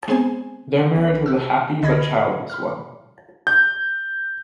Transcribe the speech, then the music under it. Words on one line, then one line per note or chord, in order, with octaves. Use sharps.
Their marriage was a happy, but childless one.
G#3 B3 C4 G#4 C5 G#5
B1
E6 F#6
C#2 D3 D#5 B5 G#6 A#6
B5 F6
G6